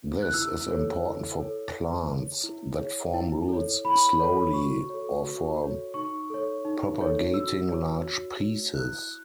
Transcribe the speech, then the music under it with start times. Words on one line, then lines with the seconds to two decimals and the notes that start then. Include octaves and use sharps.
This is important for plants that form roots slowly, or for propagating large pieces.
0.23 F#6
0.34 E4 E6
0.69 A4 C#5
1.04 E4
1.40 A4 C#5
1.74 E4
2.09 G#4 C#5
2.44 E4
2.79 G#4 C#5
3.14 E4
3.49 A4 C#5
3.85 E4 B5
4.20 A4 C#5
4.54 F#4 C#6
4.90 A4 C#5
5.24 F#4
5.59 A4 C#5
5.94 D#4 C#6
6.30 A4 C#5
6.65 D#4
7.00 A4 C#5
7.34 F#4 E6
7.70 C#5
8.04 F#4
8.39 C#5
8.74 E4 F#6